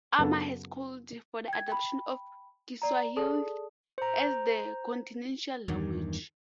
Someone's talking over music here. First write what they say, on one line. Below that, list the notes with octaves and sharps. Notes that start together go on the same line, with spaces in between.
Armah has called for the adoption of Kiswahili as the continental language.
F#2 C#3 B3 A4
G5 G#6
G5 B5
D5 A#5
G#4 A4 D5 A5 D#6
C5 A#5
E2 G2 D#3